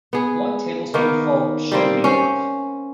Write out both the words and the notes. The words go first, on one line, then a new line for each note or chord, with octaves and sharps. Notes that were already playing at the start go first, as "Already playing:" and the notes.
One tablespoonful should be enough.
B3 G#4
D#3 A#3 B3
G3 A#3 C4
C#4 C5